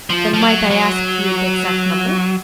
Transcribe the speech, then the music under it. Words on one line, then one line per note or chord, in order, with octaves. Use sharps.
"Then might I ask you the exact number?"
F3
F3
F#3
F#3